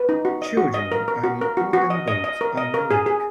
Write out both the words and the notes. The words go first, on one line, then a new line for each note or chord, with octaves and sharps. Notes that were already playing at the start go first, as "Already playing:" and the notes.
Children are in wooden boats on a lake.
Already playing: B4
D#4
F#4
D#5
F#4
D#5
A#4
A#4
F#4
A#4
F#4
F#4
D#5
D#5
D#5
A#4
D#5
A#4
G#4
G#4